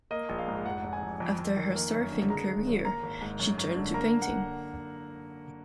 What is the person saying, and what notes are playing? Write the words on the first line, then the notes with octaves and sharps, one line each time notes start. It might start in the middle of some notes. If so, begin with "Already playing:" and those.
After her surfing career, she turned to painting.
A#3 D#5
A#1
F5
G#2
F1 F#5
F1
G#5
F2
F2
F2
D#3
A#3
F#2
D3
G#3 A#5
G#1
F#2
A#3 A#5
G#1
G#2
F#2
F#2
D3
A#3 A#5
F#5